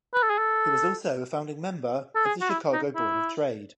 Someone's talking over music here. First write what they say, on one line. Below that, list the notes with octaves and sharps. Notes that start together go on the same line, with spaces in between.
He was also a founding member of the Chicago Board of Trade.
B4
A4
G#4
A4
A4
G#4
F#4
E4
D#4
E4